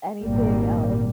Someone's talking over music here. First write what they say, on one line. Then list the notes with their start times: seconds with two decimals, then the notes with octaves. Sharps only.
anything else,"
0.23 G#1 A#2 G3 A#3